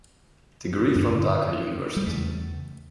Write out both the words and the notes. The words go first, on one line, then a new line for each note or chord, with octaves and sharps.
Degree from Dhaka University.
G2 D3 A#3
G3
E2 C#3 A3